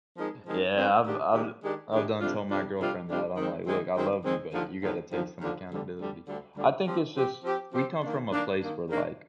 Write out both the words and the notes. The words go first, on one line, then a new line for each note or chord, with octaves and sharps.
Yeah, I've I've I've done told my girlfriend that, I'm like, "Look, I love you, but you gotta take some accountability." I think it's just we come from a place where, like,
F3 G#3 C4 D#4 A#4
F3 G#3 C4 D#4 A#4
F3 G#3 C4 D#4 A#4
D#3 G#3 D4 G4
D#3 G#3 D4 G4
D#3 G#3 D4 G4
D#3 G#3 D4 G4
F2 C3 G3 D4 F4
F2 C3 G3 D4 F4
F2 C3 G3 D4 F4
F2 C3 G3 D4 F4
D#3 G#3 C4
D#3 G#3 C4
D#3 G#3 C4
D#3 G#3 C4
D#2 D3 F3
D#2 D3 F3
D#2 D3 F3
D#2 D3 F3
D2 D3 G3
D2 D3 G3
D2 D3 G3
D2 D3 G3
F3 C4 G4
F3 C4 G4
F3 C4 G4
F3 C4 G4
D#3 A#3 D4
D#3 A#3 D4
D#3 A#3 D4
D#3 A#3 D4